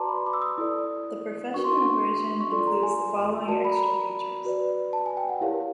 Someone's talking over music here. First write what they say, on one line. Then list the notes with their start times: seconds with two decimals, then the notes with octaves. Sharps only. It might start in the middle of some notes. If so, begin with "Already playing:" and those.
The professional version includes the following extra features.
Already playing: F#4 B4 D5 A5 A#5 C6 D6
0.09 B5
0.26 D6
0.33 E6
0.42 D#6
0.58 E4 A4 D5
1.54 D4 F#4 A#4 C#6
1.64 C6
1.73 C#6
2.41 C#6
2.51 F4 A4 D5 C6
2.67 A#5
2.83 G#5
3.48 F#4 A#4 D5 A5
3.65 B5
3.72 A#5
3.96 B5
4.45 F#4 B4 D5
4.93 A5
5.06 G#5
5.17 G5
5.29 F#5
5.41 E4 G4 A#4 C#5 F5